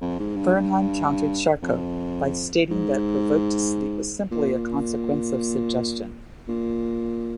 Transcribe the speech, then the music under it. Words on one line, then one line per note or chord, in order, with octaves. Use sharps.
Bernheim countered Charcot, by stating that provoked sleep was simply a consequence of suggestion.
F2
G#2
G2
G2
F2
G#2
A#2
A#2